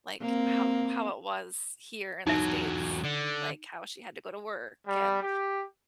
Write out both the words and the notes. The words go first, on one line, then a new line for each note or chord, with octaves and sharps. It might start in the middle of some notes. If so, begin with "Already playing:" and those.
like how how it was here in the States. Like, how she had to go to work and,
A#3 C4
E2 F#3 D#4 E5
D3
G3
G4